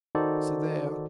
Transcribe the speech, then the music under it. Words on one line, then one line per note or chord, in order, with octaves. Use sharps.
So there.
D#3 D#4 F#4 A4 C5 D5